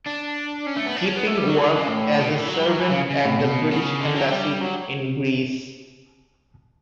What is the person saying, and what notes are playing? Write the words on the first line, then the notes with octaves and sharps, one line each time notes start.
Keeping worked as a servant at the British Embassy in Greece.
D4
C#4
A3
B3
D4
C#4
B3
A3
G3
F#3
E3
D3
C#3
A2
B2
A2
E3
F#3
G3
F#3
E3
C#3
C#3
A2
B2
C#3
D3
F#3
A3
G3
F#3